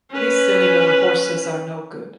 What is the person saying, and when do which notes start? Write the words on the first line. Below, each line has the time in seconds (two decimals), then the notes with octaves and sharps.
These silly little horses are no good.
0.11 C#4 B4